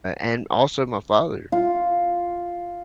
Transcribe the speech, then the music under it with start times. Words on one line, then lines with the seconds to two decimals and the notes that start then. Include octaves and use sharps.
and also my father,
1.52 F4